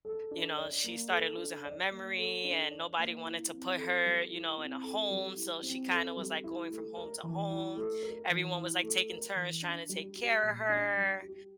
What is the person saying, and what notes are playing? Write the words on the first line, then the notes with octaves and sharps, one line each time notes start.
you know, she started losing her memory and nobody wanted to put her, you know, in a home, so she kinda was, like, going from home to home, everyone was, like, taking turns trying to take care of her
A4
D4
D5
A#3
A4
D4
D5
A#3
A4
D4
D5
A#3
E4
C4
A4
G3
E4
C4
A4
G3
E4
C4
A4
G3
E4
A3
A#4
E3
E4
A3
A#4
E3
E4
A3
A#4
E3
D4
G3
G4
A#2
D4
G3
G4